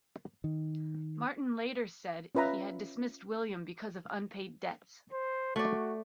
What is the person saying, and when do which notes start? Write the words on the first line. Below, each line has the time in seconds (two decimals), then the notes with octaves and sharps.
Martin later said he had dismissed William because of unpaid debts.
0.44 D#3
2.35 C#4 F4 B4 E5 A#5 B5
5.13 C5
5.56 A3 F#4 D5